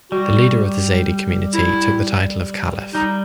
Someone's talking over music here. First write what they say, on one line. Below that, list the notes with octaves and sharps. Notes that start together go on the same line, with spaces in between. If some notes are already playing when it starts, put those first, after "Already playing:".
The leader of the Zaidi community took the title of Caliph.
G3 F#4
E4
G3 D#4